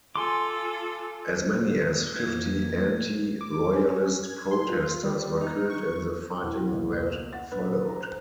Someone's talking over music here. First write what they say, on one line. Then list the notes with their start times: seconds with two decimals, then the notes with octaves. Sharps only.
As many as fifty anti-royalist protesters were killed in the fighting that followed.
0.16 F4 A4 G#5 C6 D6
2.16 F2 E3 F3 A#3 G#6
3.41 D6
3.73 C#4
4.23 G#6
4.51 C6
4.70 F4
5.03 G3
5.41 D#4
5.70 C#6
6.38 E1 E4 F#5 G5
6.71 C#2 B2 A#3
7.33 F#5 A6
7.52 A#1 F#3 B4
7.89 C5 A#5